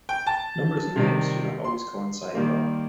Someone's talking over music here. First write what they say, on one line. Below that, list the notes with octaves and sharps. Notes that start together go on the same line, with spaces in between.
Numbers and names do not always coincide well.
G5
A5
C3 D#3 G3
C6
D#3 G3 A#3